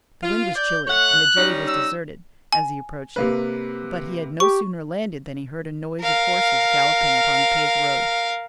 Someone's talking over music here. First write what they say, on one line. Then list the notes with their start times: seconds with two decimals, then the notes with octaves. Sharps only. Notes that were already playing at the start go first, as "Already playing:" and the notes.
The wind was chilly and the jetty was deserted, as he approached it; but he had no sooner landed than he heard a noise of horses galloping upon the paved road.
0.23 F4
0.55 D5 G6
0.87 A3 C#5 F#5 F#6
1.37 G3 C#4 D#4
1.67 E6
2.52 G#5
3.16 C3 A#3 B4
4.40 G4 C#6
6.01 A#4 F5